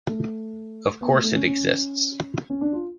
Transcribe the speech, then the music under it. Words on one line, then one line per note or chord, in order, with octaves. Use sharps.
Of course it exists!
A3
B3
A3
A3
C#4
C#4
C#4
D4
F4